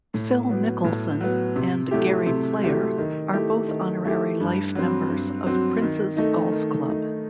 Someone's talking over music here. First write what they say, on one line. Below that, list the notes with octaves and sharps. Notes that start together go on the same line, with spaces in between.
Phil Mickelson and Gary Player are both honorary life members of Prince's Golf Club.
A2
F#3 B3
A2
F#3 B3
C3
F#3 A3 E4 G4
C3
F#3 A3 E4 G4
D#3
A3 E4 G4
D#3
A3 E4 G4
G2
F#3 C4
G2
F#3 C4
D#3
A3 D#4
D#3
A3 D#4